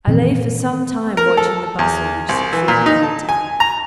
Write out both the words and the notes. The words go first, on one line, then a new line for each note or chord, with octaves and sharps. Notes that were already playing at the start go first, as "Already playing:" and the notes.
I lay for some time watching the bustle which succeeded the attack.
A#2 D#3 E3 C4
A#4
A4
E2
C2
E3
A#2
D#4
A5
G#5
A#5